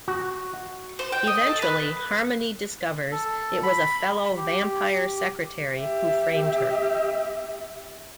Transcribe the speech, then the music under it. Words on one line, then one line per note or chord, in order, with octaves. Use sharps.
Eventually Harmony discovers it was a fellow vampire-secretary who framed her.
F#4
C5
G5
D#5
A4
B4
A4
B5
G4
G4 E5